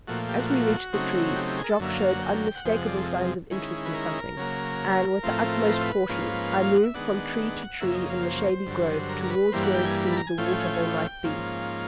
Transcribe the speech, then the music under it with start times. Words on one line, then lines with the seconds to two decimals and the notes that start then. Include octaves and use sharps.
As we reached the trees Jock showed unmistakable signs of interest in something, and with the utmost caution I moved from tree to tree in the shady grove towards where it seemed the water-hole might be.
0.07 A#2 F3 A3 F#4
0.29 G4
0.39 F#4
0.50 F#4
0.93 C#3 F#3 A3 C4 D#4
1.36 G4
1.47 G4
1.58 G#4
1.64 A#4
1.69 A4
1.79 F#2 D3 F#3 A#3 E5
1.94 F5
2.08 F#5
2.22 G5
2.56 F#5
2.65 F2 C3 F3 G#3 G5
2.76 F#5
2.87 D5
2.97 A4
3.51 D#3 G#3 C#4 E4
3.86 B4
3.94 A#4
4.37 C#3 F#3 A#3
5.23 A2 F3 A3 C4 F4
5.66 B4
5.74 C5
5.83 B4
6.09 G#2 F3 A#3 C#4 F4
6.52 F5
6.63 F5
6.74 F#5
6.83 E5
6.94 D#3 G#3 B3 D4 F#5
7.80 F#2 C#3 F3 A#3 E5
7.94 D#5
8.10 F5
8.23 C5
8.66 G2 D3 F#3
9.09 A#4
9.23 A#4
9.31 B4
9.52 G2 E3 G3 A#3 C5
9.63 F#5
9.74 G5
9.85 G#5
10.07 B5
10.12 A5
10.17 A#5
10.27 G#5
10.38 A2 F3 A3 C#4 F4 G5
10.46 G#5
10.52 G5
10.60 G#5
10.67 G5
10.74 G#5
10.82 G5
11.24 G#2 F3 A#3 C#4 F4